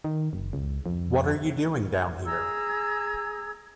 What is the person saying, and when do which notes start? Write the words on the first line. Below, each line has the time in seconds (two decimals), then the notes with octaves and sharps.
What are you doing down here?
0.04 D#3
0.33 F#1
0.53 C#2
0.86 F2
2.25 G#4 A#5 E6 G#6